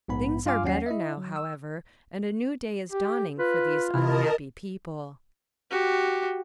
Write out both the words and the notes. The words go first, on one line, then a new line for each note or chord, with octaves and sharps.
Things are better now, however, and a new day is dawning for these unhappy people.
A#1 G#2 B3 B5
G2 F4 F5 G#5 D6 F6
D#2 F#3 C#4 F#5 C7
E4 D#5 E5
F#3
E6
G4
F4 B4
C3 E4 A#4 D#5 A5
F#4 G4